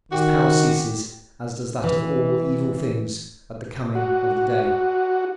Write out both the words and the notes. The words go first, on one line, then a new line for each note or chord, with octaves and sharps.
His power ceases, as does that of all evil things, at the coming of the day.
D#3 F#4 G4
E3
F#4